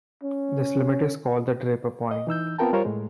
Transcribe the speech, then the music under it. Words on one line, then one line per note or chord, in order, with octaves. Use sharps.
This limit is called the Draper point.
C#4
D#5
E3 D#4 E6 G6
B3 C4 F4 A#4 G5 A5
G3 F4 A#4 C5 C#5
A2 G#3